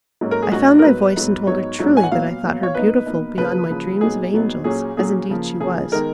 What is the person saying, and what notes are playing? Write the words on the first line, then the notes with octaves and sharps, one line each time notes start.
I found my voice and told her truly that I thought her beautiful beyond my dreams of angels--as indeed she was.
G#2 F#3 A#3 C#4
A#4
G#4
G#2 F#3 A#3 C#4 F#4
A#4
G#2 F#3 B3 B4
G#2 F#3 B3
G#2 F#3 B3 D#4 C#5
G#2 F#3 B3 D#4
G#5
F#5
A#2 F#3 B3 F5
A#2 F#3 B3
C#5
B2 A#3 D#4 B4
B2 A#3 D#4
C#3 F3 A#3 B4
C#3 F3 A#3
A#2 F#3 B3 D#4 G#4
A#2 F#3 B3 D#4
A#2 F#3 C#4 G#4
A#2 F#3 C#4 G#4
C#3 F3 A#3
C#3 F3 A#3 G#4
D#3 G#3 B3 D#4 A#4